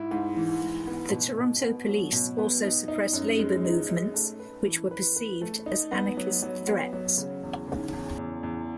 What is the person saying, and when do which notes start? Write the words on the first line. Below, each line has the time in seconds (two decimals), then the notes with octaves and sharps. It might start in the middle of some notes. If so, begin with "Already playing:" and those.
The Toronto Police also suppressed labour movements which were perceived as anarchist threats.
Already playing: G#2 E4
0.11 G#2
0.37 E3
0.61 G#2
0.87 B3
1.11 B2
1.37 B2
1.62 B3
1.88 F#3
2.13 B2
2.38 B3
2.64 D#4
2.88 D#4
3.13 F#2
3.39 G#3
3.64 D#4
3.89 D#4
4.14 A3
4.39 B4
4.66 E3
4.91 B4
5.16 B4
5.42 A3
5.66 D#4
5.91 B3
6.17 F#3
6.42 F#3
6.67 B3
6.93 F#3
7.18 C#3
7.43 E2
7.68 C#3
7.93 E2
8.18 E2
8.43 E2